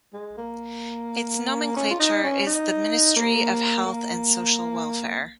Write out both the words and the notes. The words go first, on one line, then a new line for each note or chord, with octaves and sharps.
Its nomenclature is the Ministry of Health and Social Welfare.
G#3
A#3
C#4
F4
D#4
C#4
D#4
A#3
A#3